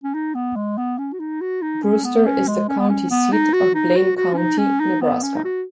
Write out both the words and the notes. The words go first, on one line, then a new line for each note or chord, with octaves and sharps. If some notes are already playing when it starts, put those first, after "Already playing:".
Brewster is the county seat of Blaine County, Nebraska.
C#4
D#4
B3
G#3
B3
C#4
F#4
D#4
F#4
D#4
C#4
B3
C#4
G#3
C#4
B3
C#4
B3
D#4
F#4
D#4
F#4
F#4
C#4
D#4
C#4
D#4
B3
C#4
D#4
F#4